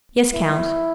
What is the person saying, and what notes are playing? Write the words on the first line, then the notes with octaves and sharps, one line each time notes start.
"Yes, count."
E4